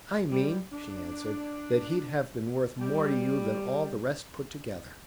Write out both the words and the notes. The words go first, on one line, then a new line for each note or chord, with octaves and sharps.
"I mean," she answered, "that he'd have been worth more to you than all the rest put together."
G3
D4
G3